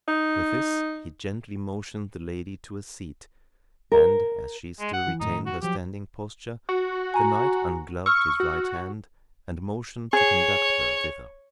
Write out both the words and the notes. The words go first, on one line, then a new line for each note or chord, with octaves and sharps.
With this, he gently motioned the lady to a seat; and, as she still retained her standing posture, the knight ungloved his right hand, and motioned to conduct her thither.
D#4
A#4
G#3
F#5
E3
F#2 A2 D#3 D#4
F#4
F3 F#3 G4
F#4
G#5 A#5
C#6 E6 F6
F#4
G#4 C#5